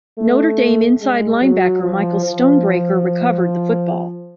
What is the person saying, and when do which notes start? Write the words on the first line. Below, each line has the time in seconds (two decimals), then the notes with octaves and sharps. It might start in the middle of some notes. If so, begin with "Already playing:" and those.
Notre Dame inside linebacker Michael Stonebreaker recovered the football.
0.18 A3
1.01 G#3
1.42 F#3
1.83 F3
2.24 F3